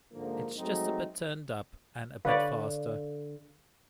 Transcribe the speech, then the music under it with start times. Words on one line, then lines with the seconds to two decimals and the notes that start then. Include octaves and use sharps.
It's just a bit turned up and a bit faster.
0.13 G#2 D3 F3 A#3
0.58 F#3 G#3 A3 C4 D#4
2.25 D3 B4 C#5 D5 F5